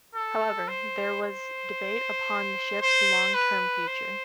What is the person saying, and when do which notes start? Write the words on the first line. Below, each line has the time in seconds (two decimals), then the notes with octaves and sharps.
However, there was debate upon the ship's long-term future.
0.15 A4
0.68 C5
1.22 C5
2.81 C5
3.35 B4
3.88 C5